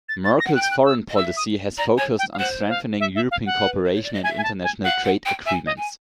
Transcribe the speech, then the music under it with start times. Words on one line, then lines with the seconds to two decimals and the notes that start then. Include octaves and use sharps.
Merkel's foreign policy has focused on strengthening European cooperation and international trade agreements.
0.09 A6
0.25 A6
0.40 A#6
0.45 F#5
0.55 G5 F#6
0.62 G6
0.71 F#6
0.85 E6
1.09 D#5
1.16 E5 E6
1.37 D#6
1.77 D5 A#5
1.97 C#5 G#5
2.19 G5
2.34 F5
2.39 C5 F#5
2.70 F5
3.00 E5
3.16 E5
3.31 F5
3.46 F#5
3.61 B4
3.84 C5
3.94 C#5
4.03 D5
4.13 D#5
4.24 E5 G#5
4.38 G#5
4.44 A5
4.64 G#5
4.84 F5 F#5
5.04 F#5
5.25 G5
5.46 E5 G#5
5.66 D#5
5.77 G#5